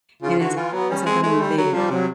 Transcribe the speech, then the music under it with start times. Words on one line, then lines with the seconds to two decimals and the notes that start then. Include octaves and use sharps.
and it's it's like I'm there
0.22 C#3 F4
0.39 D3 F#4
0.56 E3 F4
0.72 F#3 B3
0.90 G3 C#4
1.06 G#3 C4
1.23 G#3 A3
1.41 G3
1.57 F#3
1.73 F3 G3
1.90 C3 F#3